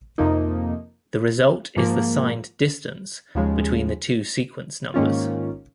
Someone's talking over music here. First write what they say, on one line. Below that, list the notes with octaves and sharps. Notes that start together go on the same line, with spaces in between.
The result is the signed "distance" between the two sequence numbers.
F2 C3 F3 A#3 D#4
G#2 F3 A#3
D#2 C#3 F3 G#3
G#2 D#3 A#3 C#4 F4